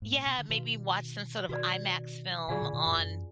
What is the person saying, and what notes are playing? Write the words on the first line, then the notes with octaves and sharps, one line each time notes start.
yeah, maybe watch some sort of IMAX film on
G#2
A#2
B2
D3
B2 D#3 F#4 B4 F5
B2 D#3 F#4 B4 D5
A#2 D3 F4 G#4 D5 F5 G#5
A#2 D3
B2 D#3
F#2 A#2
F#2